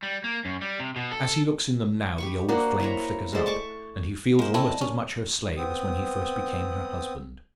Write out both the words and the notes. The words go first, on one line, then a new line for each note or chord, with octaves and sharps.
As he looks in them now, the old flame flickers up, and he feels almost as much her slave as when he first became her husband.
G3
A#3
F#2
G3
C3
B2
A4
G4 B5 C#6
A#3 D4 F#4 C5
E4 C5 C#5 A#5
G#3 A3 C5 D5
A5 C#6 D6
G#3 A#3 C5
A3 C4 E4 D5 D#5 A5
A#2 C#4
B3 C4 D#6